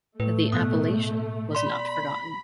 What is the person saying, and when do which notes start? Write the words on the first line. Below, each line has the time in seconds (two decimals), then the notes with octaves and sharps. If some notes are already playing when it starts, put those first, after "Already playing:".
The appellation was not forgotten.
0.20 A2 A3 B4
0.52 B2 D#6 F#6
1.55 D5 B5 C6